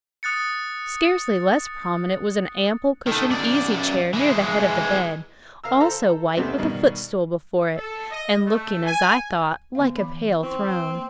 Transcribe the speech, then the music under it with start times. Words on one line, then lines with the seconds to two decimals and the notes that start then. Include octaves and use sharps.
Scarcely less prominent was an ample cushioned easy-chair near the head of the bed, also white, with a footstool before it; and looking, as I thought, like a pale throne.
0.23 D#6 F#6 A6 C#7
3.07 D#3 A3
3.30 F#2 D5
4.13 E3 G#3
5.64 A#4 F5 A#5 E6
5.80 A4 C5 A#5
6.37 E2 C3 A3 B3 C4 D#4
6.59 G2 B2 D#3
7.77 A4
8.10 D#5
8.46 A3
8.85 G#5
9.75 D3 B3 F5
9.97 E3 B5
10.43 C4 E4 C5 C#6
10.95 A#3